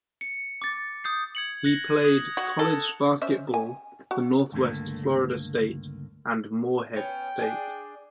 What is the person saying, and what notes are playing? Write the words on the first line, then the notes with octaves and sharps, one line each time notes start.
He played college basketball for Northwest Florida State and Morehead State.
C#7
D6 A6
D#6 G6 C7
G#6 C#7 F#7
F#6 A#6 C#7
D#6 G#6
F#4
A4
C#4 C5 E5
G#5
F#4
C#2 G2 D3 A3 A#3
B3 C#4 G5
D4 G#4 D5